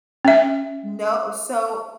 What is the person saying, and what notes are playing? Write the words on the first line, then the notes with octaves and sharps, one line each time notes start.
No, so
C#4 E5